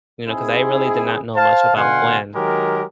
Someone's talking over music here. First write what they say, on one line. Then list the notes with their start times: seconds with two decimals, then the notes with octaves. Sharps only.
you know, 'cause I really did not know much about Gwen,
0.27 C4 D#4 E4 G#4
1.36 C5 F5 A5
1.76 B2 D3 F5 F#5 G#5 C6
2.35 D#3 F#3 G#3 G4 A#4